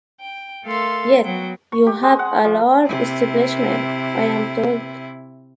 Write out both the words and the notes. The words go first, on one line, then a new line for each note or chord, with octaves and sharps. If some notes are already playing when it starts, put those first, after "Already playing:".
Yet you have a large establishment, I am told?
G5
A3 A4 A#4 F5 C6
F#3 B3 F#4 G5
C#6
G4
G#3
F#5
F3
C3 E4